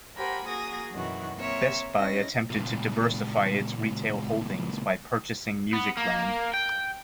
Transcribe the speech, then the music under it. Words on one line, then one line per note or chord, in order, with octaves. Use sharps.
Best Buy attempted to diversify its retail holdings by purchasing Musicland.
G4 A#4 C5 F#5 G#5 B5
A#3 F#4 G#4 G#5 D#6 A#6
F#2 B2 D#3 E3 F#4
A#3 C4 C#5 E5
C#4 D#4 E4 A#6
C#2 A#2
B3
A#3
G5